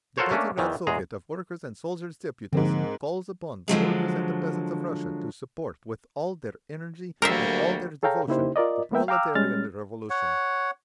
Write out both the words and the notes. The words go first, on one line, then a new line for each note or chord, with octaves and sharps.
The Petrograd Soviet of Workers' and Soldiers' Deputies calls upon the workers and the peasants of Russia to support with all their energy and all their devotion the Proletarian Revolution.
F4 F#4 A4 A#4 C5 C#5
A3 A#3 C#4 D4
E2 D#3 E3
E2 G#3 G#4 A#5
G#2 D3 F3 A#3 C4
D3 F3 F#3 G#3
D2 F#3 G3 A#3 A#4 C5 E5
G#4 A4 C#5 F5 G5 A#5
C#3 A#3 D#4 E4 G4 C5
F4 A#4 D5 D#5
G#3 A#3 B3 A#4 E5 G5
F5 G5 A#5 D6 E6 F6
G3 G#3 C#4 F6 A6
C#5 F#5